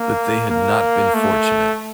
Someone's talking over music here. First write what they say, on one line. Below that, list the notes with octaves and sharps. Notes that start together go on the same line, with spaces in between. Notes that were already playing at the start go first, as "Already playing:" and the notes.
But they had not been fortunate.
Already playing: A#3
A#3
A3